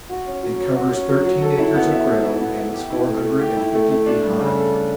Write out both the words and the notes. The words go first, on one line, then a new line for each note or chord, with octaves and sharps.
It covers thirteen acres of ground and is four hundred and fifty feet high.
F#4
C#4
F#3
F#3
F#4
C#4
F#3
F#3
A4
E4
B3
E5
A4
E4
B3
E5
G4
E4
A3
A3
G4
E4
A3
A3
D4
G3
C#3
A4
D4